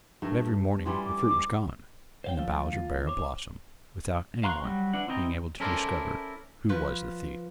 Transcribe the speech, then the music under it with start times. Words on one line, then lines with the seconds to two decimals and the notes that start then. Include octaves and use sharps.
But every morning the fruit was gone, and the boughs were bare of blossom, without anyone being able to discover who was the thief.
0.22 G2 A3 A#4
0.86 E3 G3 C#4 C6
1.06 D6
2.24 C5 C#5 F5 G5
2.37 D#2 F3 A3 F5
2.72 D#2 F4
3.07 C5 C#5 D6
4.44 F5 A#5 C6 C#6 F#6
4.64 F#3 G3 F#4
4.93 E3 D4 F#5
5.08 C4 E4 D#5 G5 A#5
5.60 C#4 E4 A4 A#4 C5 D5
6.69 F3 B4